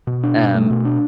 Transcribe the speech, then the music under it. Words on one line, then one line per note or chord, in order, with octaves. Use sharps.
t um,
B2
D4
B2
A3
B2
D4